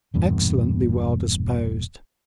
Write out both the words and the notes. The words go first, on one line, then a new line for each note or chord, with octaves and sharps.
"Excellently well disposed."
E1 E2 G2 A#2